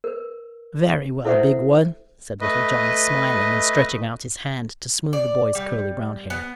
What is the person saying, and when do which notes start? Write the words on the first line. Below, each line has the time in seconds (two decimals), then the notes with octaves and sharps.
"Very well, big one," said Little John, smiling and stretching out his hand to smooth the boy's curly brown hair.
0.04 A#4 B4
1.25 E4 A4 B4 C5 E5 F#5
2.41 A3 B4 D#5
5.13 D5
5.55 G3
6.30 B3